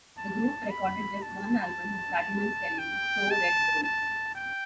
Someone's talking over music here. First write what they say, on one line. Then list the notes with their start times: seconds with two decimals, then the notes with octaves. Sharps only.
The group recorded just one album, the platinum-selling "So Red the Rose".
0.18 A5
0.70 B5
1.22 A5
2.78 G5
3.31 A5
3.84 A5
4.35 G5